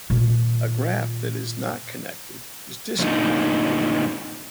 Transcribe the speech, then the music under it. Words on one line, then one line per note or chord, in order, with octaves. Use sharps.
A graph that is not connected is disconnected.
A#2 D#3
F#2 A#2 D3 F#3 D#4